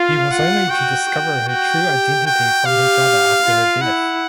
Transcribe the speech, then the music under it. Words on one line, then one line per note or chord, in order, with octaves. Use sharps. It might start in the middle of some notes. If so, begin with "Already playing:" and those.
He was only to discover her true identity from her brother after her death.
Already playing: F4 F5
F4 F#5
F#4 G5
F#4
F#4 G5
G4
F#4 G5
G4 F5
F4
E4 F#5